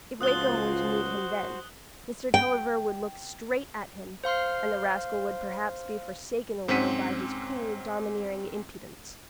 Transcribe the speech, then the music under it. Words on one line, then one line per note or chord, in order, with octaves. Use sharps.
If Wakem were to meet him then, Mr. Tulliver would look straight at him, and the rascal would perhaps be forsaken a little by his cool, domineering impudence.
C#2 F3 F4 F#4 C5 D#6 F#6 G7
G5
C5 F5 C6 F6
G#2 C4 C#4 F#5 B6 D#7